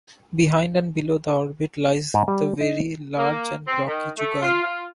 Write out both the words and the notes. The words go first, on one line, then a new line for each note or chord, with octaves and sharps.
Behind and below the orbit lies the very large and blocky jugal.
G#2
G3
D#4
A#3
C4
D#3
A3
F4
F4